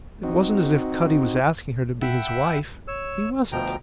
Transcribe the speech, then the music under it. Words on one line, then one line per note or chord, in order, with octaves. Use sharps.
It wasn't as if Cutty was asking her to be his wife; he wasn't.
C4 D#4 F#4
E5 F#5 G5 B5 E6
C#5 E6
D2 B2 F3 G5 A#5